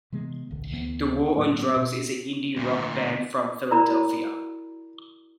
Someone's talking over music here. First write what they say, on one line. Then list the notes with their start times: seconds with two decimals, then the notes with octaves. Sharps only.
The War on Drugs is an indie-rock band from Philadelphia.
0.12 C3 E3 G#3 B3
0.51 D1 A#1 D3
0.71 D2 E3 G#3 B3
1.36 A2 F#3 A#3
1.76 B2
2.56 D2 A#2
3.71 E4 F#4 A#4 D5 A#5 B5